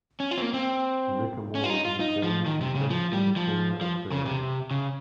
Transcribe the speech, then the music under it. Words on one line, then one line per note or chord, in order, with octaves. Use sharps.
Rick Amor was born in Frankston, Victoria, Australia.
C#4
F4
C4
A#3
C4
C#4
F4
D#4
F4
D#4
F3
D#3
C3
C#3
F3
G3
F3
F3
C#3
C3
C#3